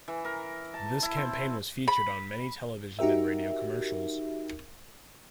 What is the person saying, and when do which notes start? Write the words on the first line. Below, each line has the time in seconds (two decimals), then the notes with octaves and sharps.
This campaign was featured on many television and radio commercials.
0.08 E3
0.25 A#4
0.74 A5
1.03 E4
1.17 C4
1.88 B5
2.99 D#4 F#4 G4 A#4 E5